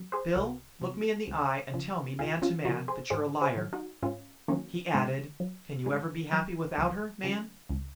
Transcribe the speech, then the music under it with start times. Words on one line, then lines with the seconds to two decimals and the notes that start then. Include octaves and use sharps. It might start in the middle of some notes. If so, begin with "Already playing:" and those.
"Bill, look me in the eye and tell me, man to man, that you're a liar!" He added: "Can you ever be happy without her, man?"
Already playing: F#3
0.12 G#4 C5
0.35 C2 F#4 A#4
0.82 C3 F#3
1.27 C#2
1.74 C#3 F3
2.19 C#2 F4 G#4
2.42 C#4 F4
2.65 C#3 F3 F#4 A#4
2.88 G#4 C5
3.10 G#2 G#4 C5
3.41 G#4 C5
3.57 D#3 F#3
3.73 D#4 F#4
4.03 G#2 C#4 F4
4.48 D#3 F#3 A#3 C#4
4.94 G#2 G#3 C4
5.40 F#3
5.86 G#2 G#3
6.32 F#3
6.78 C#2
7.24 C#3 F#3
7.69 C#2